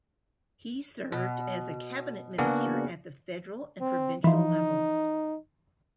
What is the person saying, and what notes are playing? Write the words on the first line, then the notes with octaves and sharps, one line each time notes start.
He served as a cabinet minister at the federal and provincial levels.
B2
C#3 A#3 B3 D4 F#4
C4
E3 F3 D#4